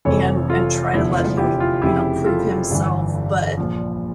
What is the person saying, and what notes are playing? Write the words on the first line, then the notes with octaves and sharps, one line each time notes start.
and and try to let him, you know, prove himself. But,
F1 F2 E3 A4 C#5
F4 A4
F1 E2 D3 F3 E4
F4
E4 G4
F4
F1 F2 C#3 E4 G4
F4 A4
G1 G2 E3
A#1 A#2 F3